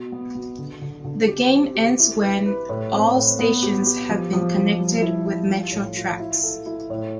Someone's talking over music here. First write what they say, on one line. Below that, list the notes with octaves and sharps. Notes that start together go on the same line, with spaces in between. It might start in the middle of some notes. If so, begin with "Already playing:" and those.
The game ends when all stations have been connected with metro tracks.
Already playing: B2
B3
B2
D3
D3
D3
G4
C4
G4
E4
B4
B4
A2
C4
A2
B3
G4
G4
F3
F3
F3
G3
E4
E4
F4
A2
F4
E4
A4
E4
A2